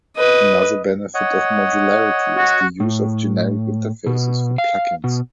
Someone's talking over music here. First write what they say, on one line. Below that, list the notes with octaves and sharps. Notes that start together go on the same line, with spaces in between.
Another benefit of modularity is the use of generic interfaces for plug-ins.
B4 D#5
C#5 D#5 F#5
F#4
A2
B2
F5
B2